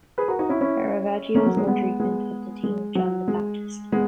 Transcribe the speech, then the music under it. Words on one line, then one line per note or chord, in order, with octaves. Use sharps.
Caravaggio's own treatment of the theme of "John the Baptist".
G#4 B4
F#4 A#4
D#4 F#4
C#4 E4
C#4 E4
A#3 C#4
F#3 A#3
G#3
G#3 B3
G#3 B3
G#3
F#3
G#3
G#3 B3